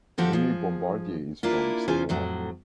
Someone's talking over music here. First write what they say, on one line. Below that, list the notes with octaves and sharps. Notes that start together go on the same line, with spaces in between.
Nini Bombardier is from Savoie.
D3 F3 F#4 G4 A4
F3 G#4
A#3 D4 E4 F4
E2 C#4 F4 G#4 C5 G#5
F2 A2 F#3